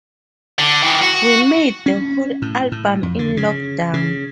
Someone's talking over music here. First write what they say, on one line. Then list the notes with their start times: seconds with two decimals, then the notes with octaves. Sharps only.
We made the whole album in lockdown.
0.59 D3
0.83 D#3 E3
1.02 F#4
1.86 C#4
2.42 A2
2.72 A2
3.03 F2
3.19 D3
3.37 C#3
3.94 C#3